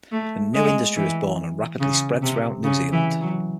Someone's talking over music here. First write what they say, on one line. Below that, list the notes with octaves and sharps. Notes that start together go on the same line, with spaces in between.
A new industry was born and rapidly spread throughout New Zealand.
A3
G#3
E3
C#3
C3
C#3
E3
F#3